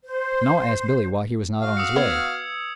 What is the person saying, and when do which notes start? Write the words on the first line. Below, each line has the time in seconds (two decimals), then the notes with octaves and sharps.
And all asked Billy why he was not on his way.
0.05 C5
1.61 F#4 F5
1.77 D#6 E6 C#7
1.96 B3 G#6